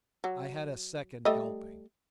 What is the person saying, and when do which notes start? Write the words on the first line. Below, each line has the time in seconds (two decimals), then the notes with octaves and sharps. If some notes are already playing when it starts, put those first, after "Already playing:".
I had a second helping.
0.24 F#3
1.25 G3 A3 D#5